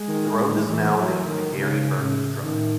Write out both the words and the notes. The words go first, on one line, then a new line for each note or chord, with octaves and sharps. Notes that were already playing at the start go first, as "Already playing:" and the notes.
The road is now named Gary Burns Drive.
Already playing: G#3
D#3
A2
E3
F#3
D#3
G#2 C#3
A2 C#3
A2 D#3